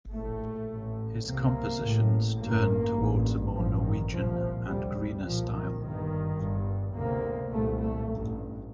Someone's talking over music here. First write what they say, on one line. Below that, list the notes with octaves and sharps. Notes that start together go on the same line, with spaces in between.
His compositions turned towards a more Norwegian and "greener" style.
A#1 A2 A3
A1 A2
C2 C3 A#3
A1 A2
A1 G2 A#3
A1 G2
A1 G2 F3
D#3
C2 A#2 F3
D2 C3 G3
G3
C2 A#2 F3
D#3
G1 G2 D#3
G1 G2
D2 C3 A#3
C2 A#2 A3
A3
A1 G2